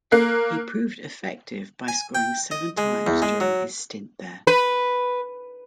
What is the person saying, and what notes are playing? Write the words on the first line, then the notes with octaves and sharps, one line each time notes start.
He proved effective by scoring seven times during his stint there.
A#3 F#6 C7
G#5
G5
D#5
G#3
E2
G#3
F#3
B4